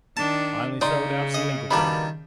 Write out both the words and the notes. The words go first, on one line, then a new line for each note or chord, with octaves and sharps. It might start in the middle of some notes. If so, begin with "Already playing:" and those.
I only throw it out as a legal point.'
D#3 D4 A5
C#3 D#4 D5 C6
D#5
B2 D#3 G3 A#3 D4 B5